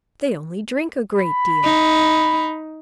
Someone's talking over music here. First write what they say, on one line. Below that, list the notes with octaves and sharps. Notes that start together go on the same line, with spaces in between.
They only drink a great deal.
B5
D#4